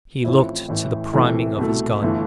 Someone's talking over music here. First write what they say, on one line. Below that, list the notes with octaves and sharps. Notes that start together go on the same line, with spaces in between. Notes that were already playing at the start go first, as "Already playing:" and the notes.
He looked to the priming of his gun.
A1 A2 F3 C4 E4
A1 A2 E3
C2 C3 E3 A3
C2 B2 A3
G1 E3 A3